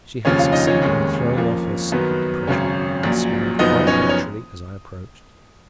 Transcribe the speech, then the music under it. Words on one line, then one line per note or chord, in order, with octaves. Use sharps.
She had succeeded in throwing off her secret depression and smiled quite naturally as I approached.
F1 D#2 C#3 F3 C#4 C#5
F4 F5
D#4 D#5
C#4 C#5
F1 D#2 D#3 G#3
F2 F3 A#3
F#2 D#3 F#3 B3 B4
G#1 F#2 C#3 C#4 C#5
A#1 A#2 F#3
F#1 F#2 F3 B3 D#4 D#5
C#4 C#5
C#5